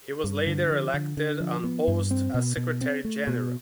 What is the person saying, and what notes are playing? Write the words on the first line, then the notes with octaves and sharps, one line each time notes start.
He was later elected unopposed as secretary general.
G2
D3
F3
D3
D3
F3
B3
G2
C4
B2
B2
C4
A3
B2